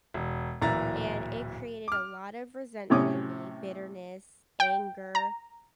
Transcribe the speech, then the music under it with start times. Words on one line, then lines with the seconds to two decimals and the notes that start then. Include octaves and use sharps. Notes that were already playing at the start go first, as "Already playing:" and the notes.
And it created a lot of resentment in me, bitterness, anger.
0.14 E1
0.62 D1 A#2 E3 E4 A#5 A6
1.88 D6 F6
2.90 A2 C3 C#4 D6 D#6
4.60 G5
5.15 A#5